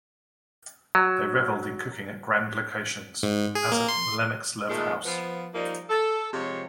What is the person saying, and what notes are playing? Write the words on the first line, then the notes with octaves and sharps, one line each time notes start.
They revelled in cooking at grand locations, as at Lennoxlove House.
F#3
G#2
G#4
A#3
C6
A#2 D#3 G#3 A3
F3 B3
F3 G3 A#3 D#4
A4
C3 F3 G#3 C#5